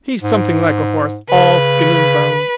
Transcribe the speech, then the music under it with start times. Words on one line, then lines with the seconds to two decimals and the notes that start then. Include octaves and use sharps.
He's something like a horse--all skin and bone.
0.22 G#2
1.30 C#3 B4